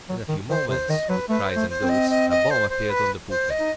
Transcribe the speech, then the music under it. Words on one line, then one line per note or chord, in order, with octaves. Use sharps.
In a few moments, with cries and oaths, a bomb appeared on the poop-deck.
F#3
D#3
D#3 C5
C3 C5
D#3 D#5
F#3 B4
A3 B4
C5
A3
C5
C4
D#5
D#5
D#5
C5
C5
B4
C5
D#5
D#4